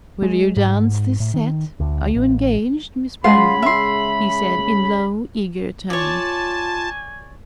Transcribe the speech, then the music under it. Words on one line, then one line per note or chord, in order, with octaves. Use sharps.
'Will you dance this set--are you engaged, Miss Brandon?' he said, in low eager tones.
G#3
G#2
A2
D#3
D2
A1
C#3 G#3 F4 G#4 F#5 B5 C6
E5 C6
F4 C#5 D5 G#5 A5